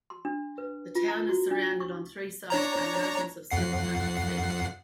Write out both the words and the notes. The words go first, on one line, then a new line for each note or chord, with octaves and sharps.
The town is surrounded on three sides by mountains of several hundred feet.
C6
D4
B4
F4
A#5
F#4
D4
C#6
D4 C#5 A#5
F2 F#5 C7